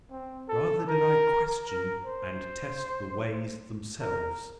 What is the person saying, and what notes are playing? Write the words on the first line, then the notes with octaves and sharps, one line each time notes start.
Rather did I question and test the ways themselves.
C4
A4
A#4
A#4
C5
A#4